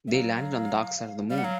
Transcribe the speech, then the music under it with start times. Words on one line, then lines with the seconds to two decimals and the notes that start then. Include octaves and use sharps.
They landed on the dark side of the moon.
0.08 E5
0.12 F#3 F5
1.30 G3 F5
1.38 F#5
1.44 F#3 F5